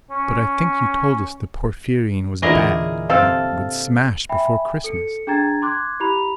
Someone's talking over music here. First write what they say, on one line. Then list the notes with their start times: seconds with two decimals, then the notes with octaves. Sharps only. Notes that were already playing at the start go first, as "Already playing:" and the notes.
"But I think you told us the Porphyrion was bad, and would smash before Christmas."
0.11 C#4
2.42 E2 A#2 D3 E4 G#4 A#4 D#5
3.10 C3 C4 A4 F5
4.29 E5 G5 G#5 B5
4.84 A4 C#7
5.27 D4 G#4 G5 A#5 G#6 A6
5.62 C6 D6 F#6 G#6
6.00 E4 G4 A#5 B5 F7